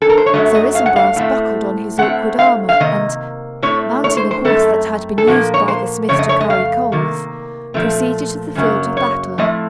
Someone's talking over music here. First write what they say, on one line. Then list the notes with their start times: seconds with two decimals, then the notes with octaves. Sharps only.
Sir Isumbras buckled on his awkward armor and, mounting a horse that had been used by the smith to carry coals, proceeded to the field of battle.
0.02 A4
0.09 A#4
0.17 C5
0.26 C#5
0.34 F#2 D#3 F#3 A3 D#5
0.55 D#5
0.75 F5
0.86 F#5
0.96 F5
1.16 A2 A3 C4
1.98 A2 A3 C4 F#5
2.39 F5
2.69 F5
2.80 C3 D#3 A#3 D#5
3.62 A2 A3 C4 C#5
4.04 C#5
4.17 C5
4.31 C5
4.45 F#2 F3 A3 C4 A4
5.18 A4
5.27 A#2 F3 A#3 F#4
5.54 C#5
5.68 C5
6.09 F2 C#3 A3 C#5
6.19 D#5
6.29 C#5
6.41 D#5
6.50 F5
6.92 C3 D#3 A#3
7.74 A#2 F3 A3 C4
8.55 F#2 C#3 F#3 A#3
8.97 C#5
9.38 A2 F3 A3 C4 D#5